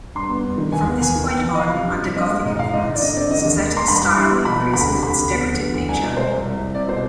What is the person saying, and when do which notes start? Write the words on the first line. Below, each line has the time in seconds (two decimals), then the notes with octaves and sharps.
From this point on, under Gothic influence, Sassetta's style increases its decorative nature.
0.15 G2 C6
0.29 B3
0.44 G2
0.58 D#3
0.72 D#2 G#5
0.87 B3
1.01 D#2 G#5
1.15 D#3
1.30 B3 G5
1.44 F3
1.55 D#5
1.58 F3 F5
1.72 C3
1.87 G2
2.01 G2
2.16 C4 D#5
2.30 G#3
2.44 G#2 D#5
2.59 G#2 F5
2.73 G#2 D#5
2.88 G#2
2.95 D5
3.01 D3 D#5
3.16 C4 D5
3.31 D3 D#5
3.45 D#2
3.59 G#3
3.73 G#3 C6
3.88 G2 B5
4.02 G2 B5
4.17 G3 C6
4.31 B3
4.45 B2 B5
4.59 B3
4.73 D2 B5
4.88 C3
5.02 D2 B5
5.17 D2
5.32 B3
5.46 D2
5.60 B3
5.74 D2
5.88 C2 G#5
6.03 B2
6.17 G#3 C5
6.31 C2
6.45 C2
6.59 C2
6.75 C4 D5
6.88 B2 C5